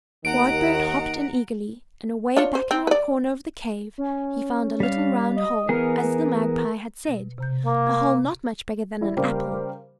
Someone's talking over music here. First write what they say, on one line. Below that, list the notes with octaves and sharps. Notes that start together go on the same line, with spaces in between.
Whitebird hopped in eagerly, and away back in one corner of the cave he found a little round hole, as the Magpie had said; a hole not much bigger than an apple.
D#2 D#3 F#5 A#5 D7
D4 F4 C#5
C5
C4
B4 D5
C#4
G3 F5
D#5
E3 B3 G#4 A#4
B2 A#6
C3 A#5 G6
A#3
D6 G#6
G3 E4
C#3 G3 A#3 G4 A#4 C5